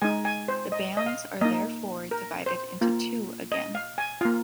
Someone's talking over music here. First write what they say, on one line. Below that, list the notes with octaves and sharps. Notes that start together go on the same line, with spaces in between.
The bands are therefore divided into two again.
G#3 D#4 G#5
G#5
C5
D#5
D#5
F5
A#3 D#4 D#5
A#4
C5
A#3 F4
D#5
F5
G#5
A#3 F4 F5